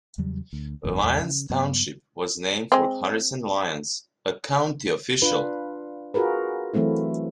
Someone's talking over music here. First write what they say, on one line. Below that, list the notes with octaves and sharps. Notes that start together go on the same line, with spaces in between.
Lyons Township was named for Harrison Lyons, a county official.
E2 C#3 F#3 G3
D2
F#1 E2 G#2
A#1 E2 G#3
C#3
G2 F#3 B3
G#3 C4
D4 F4 B4
F4 F#4 G#4 A#4 B4
E3 F#3 A3 C4 E4